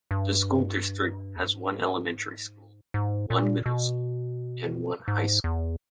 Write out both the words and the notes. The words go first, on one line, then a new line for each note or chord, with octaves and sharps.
The school district has one elementary school, one middle school, and one high school.
G2
E2
G2
G#2
G#2
A#2
B2
G#2
E2